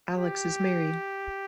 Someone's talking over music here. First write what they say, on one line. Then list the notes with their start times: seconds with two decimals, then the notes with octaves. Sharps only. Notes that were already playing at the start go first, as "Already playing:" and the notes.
Alex is married.
0.17 G4